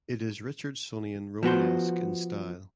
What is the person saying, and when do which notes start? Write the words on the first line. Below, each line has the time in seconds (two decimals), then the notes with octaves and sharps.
It is Richardsonian Romanesque in style.
1.43 F3 B3 F#4 C5